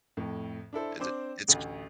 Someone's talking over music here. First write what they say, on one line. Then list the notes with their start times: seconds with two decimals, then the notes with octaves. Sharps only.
Is it it's
0.17 F2 A2
0.73 D4 E4 A4 C5
1.00 C4 D4 C5 D6
1.48 A1 D2